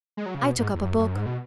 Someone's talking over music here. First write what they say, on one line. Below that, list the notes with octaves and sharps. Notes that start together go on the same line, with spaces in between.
I took up a book.
G#3
F#3
C#3
B2
G#2
E2
F#2
F#2
G#2
B2